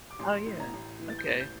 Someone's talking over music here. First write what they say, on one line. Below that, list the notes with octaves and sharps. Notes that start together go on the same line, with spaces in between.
Uh, yeah, okay.
D6
A1 C6
A2
A#5
A1
E3
A6
G6
A1 A6
G6